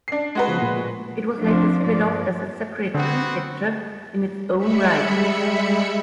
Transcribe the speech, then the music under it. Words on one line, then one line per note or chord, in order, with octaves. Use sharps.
It was later split off as a separate prefecture in its own right.
D4 C7
G#3 F#4 B4
C#3 F3 B3
A#2
F3 C4 D4
G2 F3 A#3 D5
D3 B3 C4 F#4
G3 G#3 E5 B5 C#7